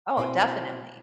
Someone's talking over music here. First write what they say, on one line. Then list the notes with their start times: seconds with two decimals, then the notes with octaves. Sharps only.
Oh, definitely.
0.17 B2 B3 C4 E4 C5 G#5